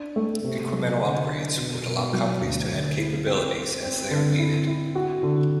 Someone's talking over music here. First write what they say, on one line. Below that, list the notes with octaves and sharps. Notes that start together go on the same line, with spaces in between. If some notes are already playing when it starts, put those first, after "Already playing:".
Incremental upgrades would allow companies to add capabilities as they are needed.
Already playing: D4
A3
C3
F#3
D3
D4
B2
B2
F#3
D2
D3
E4
C4
C4
C4
D3
E4
E4
F#4
D3